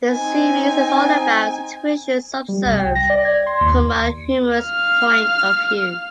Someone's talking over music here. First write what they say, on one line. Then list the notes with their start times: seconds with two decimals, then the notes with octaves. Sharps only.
The series is all about situations observed from a humorous point of view.
0.12 C4 D#4 G#5
2.49 G3
2.65 C2
2.79 G5
2.95 A#6
3.10 D5
3.25 G#6
3.46 C6
3.61 D#2
4.61 F5 F6